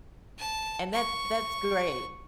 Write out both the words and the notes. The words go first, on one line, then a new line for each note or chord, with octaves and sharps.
And that's that's great.
A5
C#6